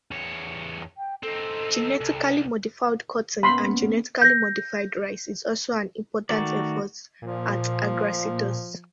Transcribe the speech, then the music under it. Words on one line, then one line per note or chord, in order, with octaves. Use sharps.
Genetically modified cotton and genetically modified rice is also an important effort at Agracetus.
E2 C#5
G5
C4 D#4 A4
C2
A#3 B3 C#4 B5 C6
G6 A#6
D#3 A3 F#4 A#4 D5
A#2 F3